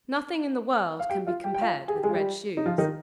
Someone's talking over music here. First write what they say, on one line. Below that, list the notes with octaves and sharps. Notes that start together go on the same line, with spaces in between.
Nothing in the world can be compared with red shoes.
F5
G4 G5
F4 F5
G4 G5
G5
F4 F5
G#4
G4
G#3 G#4
F4
G3 G4
D#4
F3 F4
D#3 D#4